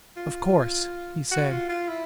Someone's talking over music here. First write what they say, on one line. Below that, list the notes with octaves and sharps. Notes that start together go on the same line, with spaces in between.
"Of course," he said.
F4
F#4
F4
F4
E4